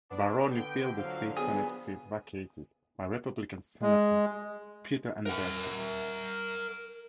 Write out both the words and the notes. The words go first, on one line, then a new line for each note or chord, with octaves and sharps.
Baroni filled the State Senate seat vacated by Republican Senator Peter Inverso.
B3 D4
D3 G5
F3 F#3 F5
F#3 B3 G#4
G#3
A#4 F#5